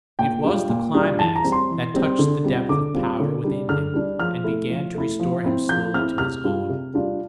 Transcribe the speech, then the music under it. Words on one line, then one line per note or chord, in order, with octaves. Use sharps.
It was the climax that touched the depth of power within him and began to restore him slowly to his own.
A#2 G5
G3 D4 F4
A#2
G3 D4 F4
E3 A5
A#5
G3 C4
C6
E3
G3 C4
D3
G3 C4 F4
D3 D6
G3 C4 F4
D3
G3 D4
D3 F6
G3 D4
F3 F6
A3 E4
F3
A3 E4
F3
C4 E4
F3 G6
C4 E4 F6
C3 F6
G3 D4 F4
C3
G3 D4 F4